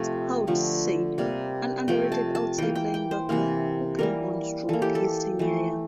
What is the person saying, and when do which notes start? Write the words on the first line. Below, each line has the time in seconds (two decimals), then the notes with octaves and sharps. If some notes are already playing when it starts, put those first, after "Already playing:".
Scouts said, An underrated outside linebacker who came on strong his senior year.
Already playing: C3 F3 A3 F5
0.47 D3 F3 A3
1.18 C3 G3 A#3
1.88 C3 F3 A3 G5
2.12 A5
2.35 A5
2.58 E3 A#3 G5
2.75 G5
2.94 G5
3.11 C5
3.29 C3 E3 A#3
3.99 E3 G3 A#3 A#4
4.69 E3 A#3 A4
4.82 G4
4.95 A4
5.39 E3 A3